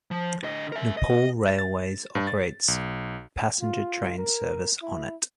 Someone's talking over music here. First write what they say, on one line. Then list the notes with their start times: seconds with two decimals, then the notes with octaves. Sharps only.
Nepal Railways operates passenger train service on it.
0.11 F3
0.44 D3 D#5
0.72 A#4 E5
0.97 D#5
1.59 A6
2.15 G2
2.27 A6
2.68 B1
3.61 F4
4.18 A#4
4.82 E4